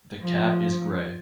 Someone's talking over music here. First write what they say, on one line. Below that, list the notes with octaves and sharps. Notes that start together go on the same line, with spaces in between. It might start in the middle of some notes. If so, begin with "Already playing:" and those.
The cat is grey.
F3